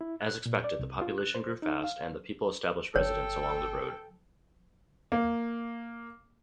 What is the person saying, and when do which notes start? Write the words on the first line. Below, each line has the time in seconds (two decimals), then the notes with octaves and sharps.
As expected, the population grew fast and the people established residence along the road.
0.01 E4
0.21 F#6
0.46 A#2
0.64 D5
0.79 C2
1.02 F4
1.18 F#6
1.35 C5
1.62 D#4
1.84 F5
2.96 G1 A4 C#5 G5
5.12 A#3